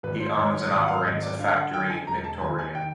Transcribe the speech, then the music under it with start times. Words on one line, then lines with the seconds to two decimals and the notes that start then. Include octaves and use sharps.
He owns and operates a factory in Victoria.
0.03 G#1 B4
0.20 C5
0.37 G#1 C#5
0.54 C#5
0.71 G#1 D5
0.81 F#5
0.88 F5
1.05 G#1 D#5
1.22 D5
1.39 D3 F5
1.56 F#5
1.73 D3 G5
1.90 G#5
2.07 E1 A#5
2.24 A5
2.41 D#2 G#5
2.58 G#5
2.75 D#3 G5